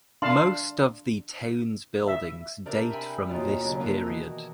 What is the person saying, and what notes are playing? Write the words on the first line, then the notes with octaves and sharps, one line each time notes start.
Most of the towns buildings date from this period.
D4 F5 A5 C6
E5
C3 D4 A#4 D5
E5 G5 G#5 B5
D#2 B2 F4 D5 A#5
C#3 F#3 D4
A#3 D4 F4 A#4 B4
B2 D#3 E3